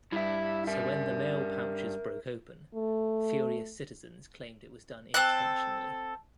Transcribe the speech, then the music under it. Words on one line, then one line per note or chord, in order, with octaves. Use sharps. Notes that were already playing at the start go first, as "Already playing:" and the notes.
So when the mail pouches broke open, furious citizens claimed it was done intentionally.
G2 E4 E5
A#4 E5
A3
C4 A4 F#6